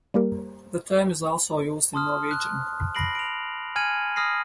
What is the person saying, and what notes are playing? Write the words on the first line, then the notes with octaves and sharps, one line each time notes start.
The term is also used in Norwegian.
G3 A#3 G4 A#4
A5 C6 D#6 F6
F#6
B5 A#6 C7 D7 F#7
D7 F7
G#5 F6 G#6 C#7 D#7 F#7
B5 D#6 F6 A#6 C7